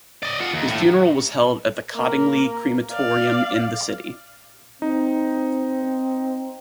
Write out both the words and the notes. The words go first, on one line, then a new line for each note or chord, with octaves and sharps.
His funeral was held at the Cottingley Crematorium in the city.
D5 D#5
F4 F#5
D#2
A2
A#3
D5 F5
C4 D#4